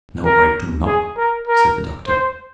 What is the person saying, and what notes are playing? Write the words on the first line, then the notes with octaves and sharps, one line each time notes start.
"No, I do not," said the Doctor.
A#4
G#4
A#4
A#4
C5